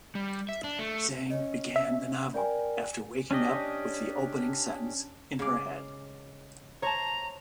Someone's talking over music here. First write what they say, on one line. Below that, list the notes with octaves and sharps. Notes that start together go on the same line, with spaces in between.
Zhang began the novel after waking up with the opening sentence in her head.
G3
E5
D4
A3
C#4 C#5 D#5
E5
A#4 D5 G5 G#5
C#4 D4 G4 D#5
C#3 G#3 F5 D6
C5 C#5 A5 A#5